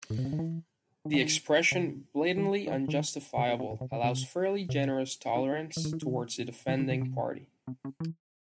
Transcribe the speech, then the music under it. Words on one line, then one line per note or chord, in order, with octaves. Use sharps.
The expression "blatantly unjustifiable" allows fairly generous tolerance towards the defending party.
A2
C3
C#3
D#3
E3
D#3
E3
D#3
C#3
E3
D#3
E3
D#3
C#3
C3
C3
A2
C3
C#3
C3
C3
D#3
D#3
E3
D#3
E3
D#3
E3
D#3
D#3
C3
C3
C#3
E3